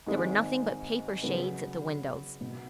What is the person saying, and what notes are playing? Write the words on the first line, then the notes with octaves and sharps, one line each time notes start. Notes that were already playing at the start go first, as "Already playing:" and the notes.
There were nothing but paper shades at the windows.
G#1 G#2 G#3
C#3 F#3 B3 G#4 B4
B1 B2 B3